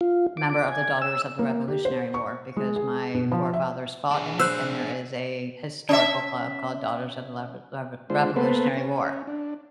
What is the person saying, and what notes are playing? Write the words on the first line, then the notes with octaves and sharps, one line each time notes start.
member of the Daughters of the Revolutionary War because my forefathers fought in it and there is a historical club called Daughters of the lever lever Revolutionary War.
F4
D6
D6
G#5
E6
A#3
G4
C5
C#6
G#3
G#4
B2
F3
E5
D4 G#4
C5 E6 F#6
C#4 E5
G#3 D4 F4 C5
A#3 B3 A4 B4 C5
C#4
D4